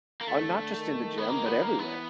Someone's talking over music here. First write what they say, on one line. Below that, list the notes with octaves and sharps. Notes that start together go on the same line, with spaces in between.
Oh, not just in the gym, but everywhere.
A#3
D3 A3
D#3
B3
A#3
B3
A#3
E3 B3